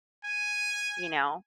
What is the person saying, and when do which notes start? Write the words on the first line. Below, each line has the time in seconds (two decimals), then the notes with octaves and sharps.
You know?
0.25 G#5